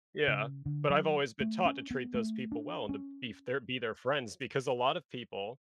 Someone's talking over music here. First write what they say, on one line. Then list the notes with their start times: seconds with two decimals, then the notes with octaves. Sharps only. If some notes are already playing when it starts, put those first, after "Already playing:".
Yeah. But I've always been taught to treat those people well and to be their f be their friends because a lot of people,
0.28 C#3
0.66 D3
0.90 F#3
1.40 A3
1.65 C#4
1.91 B3
2.14 A3
2.52 D4
2.89 C#4